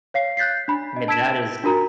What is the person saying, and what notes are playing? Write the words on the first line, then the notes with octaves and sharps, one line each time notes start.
I mean, that is
C#5 F5 C7
F#6 G6 A6 B6 C7
D4 B5
D#5
A5 E6 G#6 B6 D7 E7
D4 F4 F#4 A#4 A#5